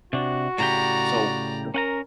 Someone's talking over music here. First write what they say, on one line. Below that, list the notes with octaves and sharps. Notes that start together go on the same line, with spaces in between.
So the
C3 D4 F#4
A2 C#3 G4 D5 A#5
C#4 A#4 F#5 A#5